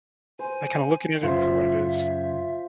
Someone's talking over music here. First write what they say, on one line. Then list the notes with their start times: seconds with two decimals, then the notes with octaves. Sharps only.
I kinda looking at it for what it is.
0.39 C5 G#5
1.23 F#2 C#3 F4 C5 E5